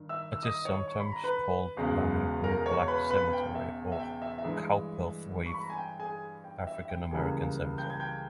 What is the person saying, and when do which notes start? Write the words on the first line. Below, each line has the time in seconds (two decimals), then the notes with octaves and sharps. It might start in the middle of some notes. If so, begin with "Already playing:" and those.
It is sometimes called Lamington Black Cemetery or Cowperthwaite African American Cemetery.
Already playing: G2 D#3
0.09 E5 E6
0.32 E6
0.43 D#5 D#6
0.65 C#5 C#6
0.88 C#6
1.00 B5
1.12 A#5
1.24 B4 B5
1.77 E1 E2 C#3 G#3
2.44 A#4 A#5
2.66 C#5 C#6
2.88 B4 B5
3.10 B4 B5
3.33 G5
3.55 E5
3.92 E5
3.99 G5
4.22 E5
4.38 E5
4.44 G2 E3 G#3
5.46 C#6
5.54 B5
5.62 A#5
5.70 G#5
5.77 G5
6.00 G#4 G#5
6.44 G5
6.67 E5
6.85 E5
6.89 G5
7.11 C#2 C#3 E3 G3 A#3 G#4 G#5
7.78 G5 G6
7.90 G#6
8.00 G5 G6